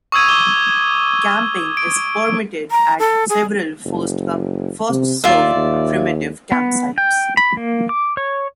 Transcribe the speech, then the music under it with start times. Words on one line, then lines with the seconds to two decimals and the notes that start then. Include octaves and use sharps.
Camping is permitted at several first-come, first-served primitive campsites.
0.12 C#6 D#6 E6 G#6 D#7
0.29 D6 G7
1.77 D7
2.71 A#5
2.99 A4
3.29 G#4
3.85 F#1
4.90 C3
5.24 D#2 F4 D5 E5
5.56 D#2
6.52 B3
6.98 G5
7.37 B5
7.57 A#3
7.89 D6
8.17 C#5